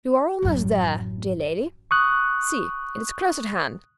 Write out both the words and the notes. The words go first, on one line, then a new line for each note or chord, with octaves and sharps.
"You are almost there, dear lady--see, it is close at hand!"
A1 F#2
C#6 D#6 F#6